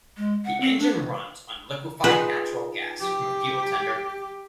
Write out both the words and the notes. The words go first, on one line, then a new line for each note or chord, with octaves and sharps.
The engine runs on liquefied natural gas from a fuel tender.
G#3
F#5
C4
D4
D#4 F4 G#4 B4
G4